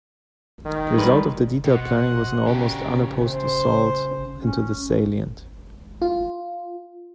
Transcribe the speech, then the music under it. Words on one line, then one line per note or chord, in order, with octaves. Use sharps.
The result of the detailed planning was an almost unopposed assault into the salient.
D#3
G3 G#3 B4
B2 C5 D#5 F#5
C#3 D4 F#4 G4 A#4
C5
C#4
F4